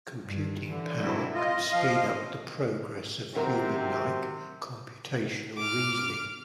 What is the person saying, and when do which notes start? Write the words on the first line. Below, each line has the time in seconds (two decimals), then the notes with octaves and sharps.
Computing power can speed up the progress of human-like computational reasoning.
0.24 G2
0.68 D3 E3
1.01 F#3 C4 E4
1.34 F4 D#5
1.72 F3 F5
3.34 C3 D#3 F#3 C4 A#4
5.57 D6 F6